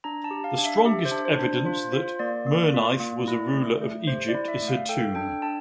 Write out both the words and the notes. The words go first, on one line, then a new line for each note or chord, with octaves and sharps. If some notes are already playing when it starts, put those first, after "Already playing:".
The strongest evidence that Merneith was a ruler of Egypt is her tomb.
D4 A#5
A5
G4
F5
D4
E5
G4 E5
C5
D4
C5
D4
F4 C5
F4 C5
A#3 D5
A#3
F4
A#3
E4
A3
A3
G4 C5
D5
E4
E5
A3
F5
A4 G5
D4 G5
D4 A5